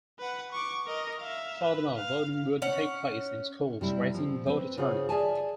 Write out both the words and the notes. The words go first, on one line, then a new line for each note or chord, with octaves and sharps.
Furthermore, voting would take place in schools, raising voter turnout.
B4 F#5
C#6 D6
A#4 D#5
E5 F5
B4
F5
C#4 F#5
C3 G3 E4
F3 C4
C4 B4
C#3 F4 G#4 C5 F#5
G#4 D5 E5 F5 G#5 A5